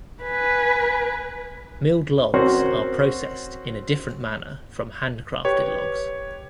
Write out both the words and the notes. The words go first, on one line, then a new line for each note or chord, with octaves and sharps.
Milled logs are processed in a different manner from handcrafted logs.
B4 G#5
C4 C#4 F#4 A#4 C5 C#5
G4 B4 C#5